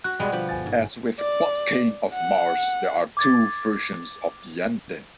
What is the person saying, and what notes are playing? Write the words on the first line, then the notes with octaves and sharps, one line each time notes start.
As with "Podkayne of Mars", there are two versions of the ending.
F#4 F#6
B2 G3 G#3 B3 D5 G5
D3 F3 G4 B5
G1 G#5 A6
G#2
D5
F#5
D6 G#6 A6